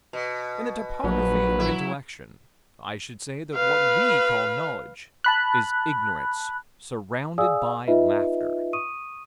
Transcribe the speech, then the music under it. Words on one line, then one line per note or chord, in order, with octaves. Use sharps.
In the topography of intellection, I should say that what we call knowledge is ignorance surrounded by laughter.
B2
A#1 F#3 B4
E4
B4 F5
A5 B5 F#6
G#4 D5 F5 G#5 D#6 E6
D#4 F4 B4 D#5 E5
C#6 D#6 D#7